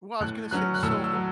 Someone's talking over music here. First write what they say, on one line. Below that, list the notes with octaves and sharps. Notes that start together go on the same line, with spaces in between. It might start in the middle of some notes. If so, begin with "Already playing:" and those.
Well, I was gonna say so
A2 F#6
F#3 C#4 F#6
F#6
A2 E6
E6
F#3